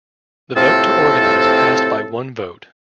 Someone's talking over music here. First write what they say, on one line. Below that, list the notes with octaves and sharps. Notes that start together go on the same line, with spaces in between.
The vote to organize passed by one vote.
A2 C3 F3 C4 A4